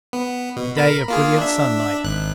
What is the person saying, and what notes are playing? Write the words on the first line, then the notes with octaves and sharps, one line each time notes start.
A day of brilliant sunlight.
B3
B2
A#4 B5
A#3 F4 G#4
D4 E5
G#1 F#6